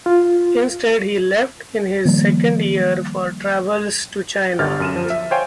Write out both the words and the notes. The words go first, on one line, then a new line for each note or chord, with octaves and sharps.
Instead he left in his second year for travels to China.
F4
D#3 F3 G3 A#3
G1 D3 G4 F6 A6
F#2 D#7 E7
F3
E5
C5 C#5 F5 G5 G#5